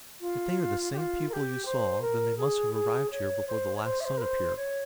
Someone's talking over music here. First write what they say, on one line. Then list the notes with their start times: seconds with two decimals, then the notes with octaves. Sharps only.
If they are the same people you saw, then they must have arrived here before the last sun appeared.
0.20 F4
0.92 G4
0.97 F4
1.29 A#4
1.33 G4
1.65 C5
2.01 A#4
2.37 G#4
2.73 G#4
3.10 C#5
3.47 C5
3.75 C#5
3.83 C5
4.00 E5
4.04 C5
4.17 A#4
4.21 C5
4.56 C#5